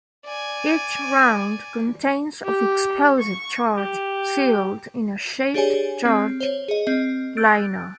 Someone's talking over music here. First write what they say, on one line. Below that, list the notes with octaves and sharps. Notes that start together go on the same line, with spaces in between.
Each round contains of explosive charge sealed in a shaped-charge liner.
D5 G#5
G4
C#6
G4
D4 G4 G#4 C#5 D5 G#5
C4
C5 C#5
G#4 D#5
C4 D#5
E6 F#6 G6 A6 D7